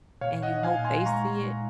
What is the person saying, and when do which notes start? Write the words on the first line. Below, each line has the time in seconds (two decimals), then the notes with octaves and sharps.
and you hope they see it,
0.21 A#2 C#5 F5
0.43 D#5 F#5
0.50 D#4
0.63 F5 G#5
0.78 A#2
0.85 G#5 C6
1.06 G#3 A#5 C#6
1.34 A#2